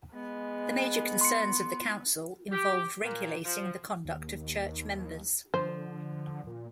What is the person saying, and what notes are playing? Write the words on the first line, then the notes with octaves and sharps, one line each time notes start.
The major concerns of the Council involved regulating the conduct of church members.
G#3 B3
C6 C#7
G4
A#2
F3
D#2
D3 F3 C5
A#2